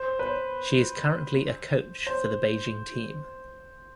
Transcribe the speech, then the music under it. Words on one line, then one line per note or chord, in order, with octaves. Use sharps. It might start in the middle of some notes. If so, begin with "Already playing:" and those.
She is currently a coach for the Beijing team.
Already playing: C5
B4
C5
C5